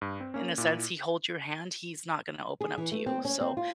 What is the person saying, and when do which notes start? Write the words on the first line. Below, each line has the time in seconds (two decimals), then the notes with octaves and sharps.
in a sense, he holds your hand, he's not gonna open up to you. So
0.01 G2
0.20 C4
0.34 A#3 C#4
0.58 A#2 E4
2.61 G#4
2.78 E3
2.92 A3
3.06 C4
3.25 C#4
3.41 C4
3.57 F4